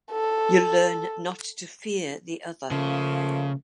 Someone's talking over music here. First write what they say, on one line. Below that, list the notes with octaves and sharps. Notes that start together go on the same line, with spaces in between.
You learn not to fear the other.
A4
C#3 F3 A3 A#3